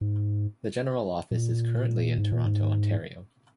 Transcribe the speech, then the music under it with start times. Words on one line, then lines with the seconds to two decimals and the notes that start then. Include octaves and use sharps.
The General Office is currently in Toronto, Ontario.
0.01 G#2
1.31 A#2
2.18 G#2
2.32 A#2
2.46 G#2